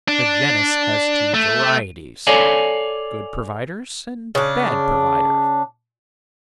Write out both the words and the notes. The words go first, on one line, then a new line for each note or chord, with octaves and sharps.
The genus has two varieties: good providers and bad providers.
D4
A3
A4 C#5 D5 F5 G#5
C#3 D4